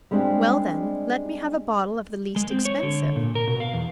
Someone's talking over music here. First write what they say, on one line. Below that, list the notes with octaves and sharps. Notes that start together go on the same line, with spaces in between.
"Well, then, let me have a bottle of the least expensive."
G3 G#3 C4 D4 F4 G4
G#3
C4
C#5
D3
A#2
A#4
B2
F5
E2